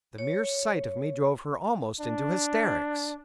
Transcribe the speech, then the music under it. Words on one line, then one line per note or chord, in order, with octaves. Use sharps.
The mere sight of me drove her almost into hysterics.
C#5
D4